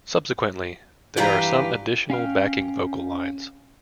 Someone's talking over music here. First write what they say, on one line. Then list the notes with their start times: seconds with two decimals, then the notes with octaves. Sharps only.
Subsequently, there are some additional backing vocal lines.
1.17 G2 E3 G4 B4 F5 A#5
2.10 C#4 F5 G5 F6